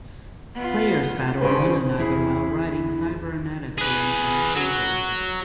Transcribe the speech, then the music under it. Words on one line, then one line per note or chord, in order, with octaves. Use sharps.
Players battle one another while riding cybernetically enhanced eagles.
B3 F4
G2 C#3 B4 C5
E2 E4 G#4
G#4 B4
F#3